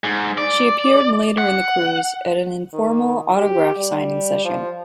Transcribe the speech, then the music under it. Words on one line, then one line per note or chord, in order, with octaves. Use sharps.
She appeared later in the cruise at an informal autograph-signing session.
G#2
D5
F#5
D#3
G4
G3
F3